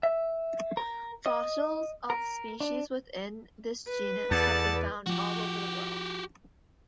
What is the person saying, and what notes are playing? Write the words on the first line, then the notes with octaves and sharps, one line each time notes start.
Fossils of species within this genus have been found all over the world.
E5
A#4
D#5
A#4
D4
B4
E2 A4 D5 F#5 A5
F3 F#4 G4